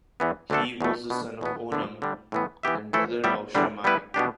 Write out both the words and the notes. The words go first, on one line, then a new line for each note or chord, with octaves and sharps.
He was the son of Onam and brother of Shammai.
E2 E3 B3
D2 D3 A3 D4 A4
E2 B2 A3
B2 B3 D4
E2 B2 B3
E2 D3 B3 D4
D3 G3 D4
A2 E3 B3
E3 B3 G4 E5
E3 A3 E4 A4
A2 G3 B3 G4 E5
E2 D3 G3 D4
G3 B3 E4 B4
B2 B3 D4 G4